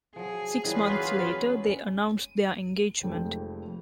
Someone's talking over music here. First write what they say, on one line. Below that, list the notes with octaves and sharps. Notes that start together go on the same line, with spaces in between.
Six months later, they announced their engagement.
F3 F#3 G#4
E3 F#3 G3 A#3 C#4 F4 B4
F1 F2 F3 G#3 A3 G5